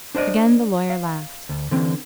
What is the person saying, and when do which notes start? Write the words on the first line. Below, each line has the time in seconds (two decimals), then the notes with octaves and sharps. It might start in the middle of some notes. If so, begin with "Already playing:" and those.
Again the lawyer laughed.
0.15 D4 C5 D5 D#5
0.90 F5
1.49 D2
1.71 D3 E3 C4